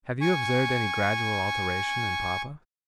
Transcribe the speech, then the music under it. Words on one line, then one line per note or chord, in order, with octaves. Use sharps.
Have you observed any gradual alteration in Papa?'
G#5 C#6